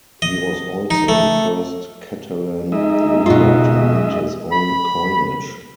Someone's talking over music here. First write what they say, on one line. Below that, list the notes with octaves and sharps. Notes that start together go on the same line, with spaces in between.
He was also the first Catalan ruler to mint his own coinage.
D#5
D#4
A3
G#3 D#4 D#5 E5
B2 F4
B5